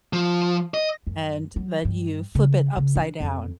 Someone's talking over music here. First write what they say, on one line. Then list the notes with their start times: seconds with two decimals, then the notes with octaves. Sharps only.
and then you flip it upside down,
0.13 F3
0.74 D#5
1.07 F#2
1.56 F#3
1.85 G2
2.35 C#3
2.77 C#3
2.96 D4
3.20 F2